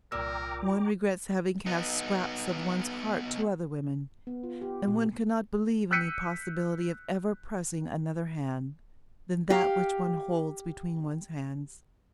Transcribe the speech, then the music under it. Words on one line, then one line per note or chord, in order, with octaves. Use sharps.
One regrets having cast scraps of one's heart to other women, and one can not believe in the possibility of ever pressing another hand than that which one holds between one's hands.
C2 A#2 A#4 G5 A#5 D6 E6
B3 D#4
B3
F4
G4
A#2
E6 F#6 G6 B6 C#7 D#7
G4 F5